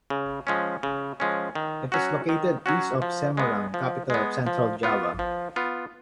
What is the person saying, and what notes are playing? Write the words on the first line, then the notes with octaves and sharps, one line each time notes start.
It is located east of Semarang, capital of Central Java.
C#3
F3 G#3 C#4
C#3
F3 G#3 C#4
D#3
F#3 C#4 F#4
D#3
F#3 C#4 F#4
F3
G#3 B3
F3
G#3 B3
F3
B3 F4
F3
B3 F4